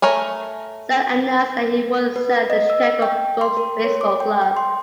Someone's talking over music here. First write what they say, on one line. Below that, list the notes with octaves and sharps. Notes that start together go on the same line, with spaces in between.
Zell announced that he would sell the Chicago Cubs baseball club.
A3 A#4 C#5 G#5
B4
D#5
E6
G5
C6
A#4
C#5
D6
G5
G5
C6